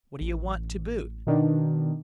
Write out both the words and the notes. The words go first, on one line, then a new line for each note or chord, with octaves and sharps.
What do you want to boot?'
A1
B2 D#3 D4